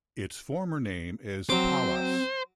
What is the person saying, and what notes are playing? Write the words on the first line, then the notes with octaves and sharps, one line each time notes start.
Its former name is Palas.
F#3 C4 C5 D6